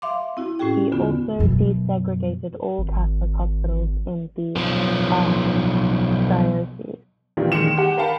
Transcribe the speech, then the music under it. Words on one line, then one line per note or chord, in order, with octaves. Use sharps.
He also desegregated all Catholic hospitals in the archdiocese.
E5 F5 C6 D6
C4 E4 F#4
A2 C#4 F#4 G#4 G5
E2 D3 B3 F4 F#4
F#2 B2
G#1
B1 F3
A#2 D#3 E3 G3 F4
D#3 G#3 C#7 E7
G4 F#5
A#4 F5 G5 A5 B5